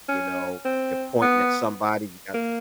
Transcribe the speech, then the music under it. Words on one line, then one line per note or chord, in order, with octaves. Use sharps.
you know, "You're pointing at somebody, you got"
C#4
C4
B3
A#3